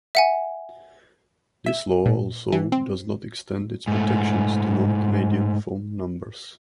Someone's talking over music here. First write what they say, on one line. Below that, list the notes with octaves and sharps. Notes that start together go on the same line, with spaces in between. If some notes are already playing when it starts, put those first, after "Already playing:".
This law also does not extend its protections to non-Canadian phone numbers.
E5 F#5 G#5
E5
A#2
E3
C4
G#2 A3